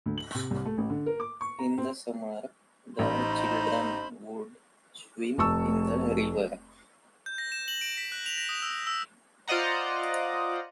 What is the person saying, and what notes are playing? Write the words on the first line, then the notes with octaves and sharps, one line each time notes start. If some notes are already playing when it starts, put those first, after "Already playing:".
In the summer the children would swim in the river.
D2
F#7
C3
C2
A3
A1
D3
A#4
D6
C#6
A#5
C4
A1 D#4 C5 B5
F1 A5 C#6 E6
G6
A#6
E7
F#7
D7
B6
F#6
F7
A#6
D#6
E6
E6
F4 C5 D5 D#5 F#5 A#5